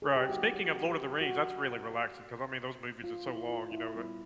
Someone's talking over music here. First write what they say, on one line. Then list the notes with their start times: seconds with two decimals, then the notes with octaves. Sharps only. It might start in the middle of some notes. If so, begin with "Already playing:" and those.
Right, speaking of, Lord of the Rings, that's really relaxing 'cause, I mean, those movies are so long, you know, that
0.02 G#4
0.16 G4
0.29 F#3 A#3 D#4 F#4
0.54 G4
0.60 F#4
0.90 G4
1.21 F#4
3.04 F4
3.27 E4
3.49 F4
3.72 E4
3.95 A#2 G3 B3